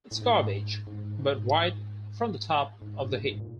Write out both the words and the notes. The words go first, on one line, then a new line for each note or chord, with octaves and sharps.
It's garbage, but right from the top of the heap.
A2
G#2
G#2
G#2
G#2
G2
A2
G#2
A#2